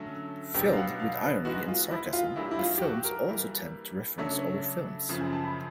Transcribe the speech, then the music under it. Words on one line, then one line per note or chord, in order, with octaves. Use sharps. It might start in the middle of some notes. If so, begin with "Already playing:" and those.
Filled with irony and sarcasm, the films also tend to reference other films.
Already playing: D3 F#3 A3 C#4
B2 F#3 B3 D4 G4 G5
F5
F#5
F5
B4
E3 G#3 B3 D#4 F#4
F4
E4
F4
D#3 F#3 A3 D4 E4 G4
E4
F4
G4
F#4
A#4
E3 G3 A#3
C#3 F#3 A3 D4 C#5
F#2 C#3 F3
G#5
A5
B5